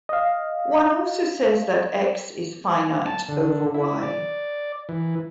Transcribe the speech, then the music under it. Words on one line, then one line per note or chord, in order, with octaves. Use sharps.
One also says that "X" is finite over "Y".
D#5 F5
A5
D3
E4
D5
E3